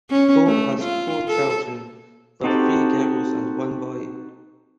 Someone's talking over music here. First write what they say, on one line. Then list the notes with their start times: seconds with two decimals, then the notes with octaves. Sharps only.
Boat has four children, with three girls and one boy.
0.10 C#4
0.46 A3
0.81 F4
1.28 A4
2.44 C4 D#4 F#4 G4 A4